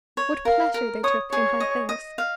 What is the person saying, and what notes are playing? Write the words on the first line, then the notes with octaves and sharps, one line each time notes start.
What pleasure they took in high things!
C#5
A#4 F5
A#4
C#5 D#6
G#4 C#5
D#5
D#5
F5